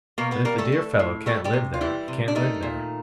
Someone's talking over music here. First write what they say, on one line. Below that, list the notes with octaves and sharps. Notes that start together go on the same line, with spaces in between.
But if the dear fellow can't live there, he can't live there.
B2 A#3 A#4
B3 B4
G3 A#3 A#4
A3 A4
A3
A2
G3 A3 A4
G3 G4
C3
F4
E3 G3 E4
C3
D4
D#3 A3 D#4
A#2